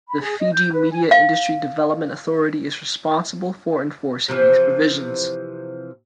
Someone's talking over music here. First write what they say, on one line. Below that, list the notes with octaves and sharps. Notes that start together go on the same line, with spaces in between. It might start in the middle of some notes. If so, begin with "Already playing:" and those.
The Fiji Media Industry Development Authority is responsible for enforcing these provisions.
B5
G#4
D#5
G6
B4
G#5
F5
C3 E3 F3